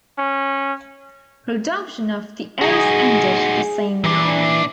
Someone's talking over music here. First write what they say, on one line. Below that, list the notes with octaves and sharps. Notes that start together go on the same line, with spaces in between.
Production of the Ace ended the same year.
C#4
D#4 F#4 G#4
A#2 E3 D4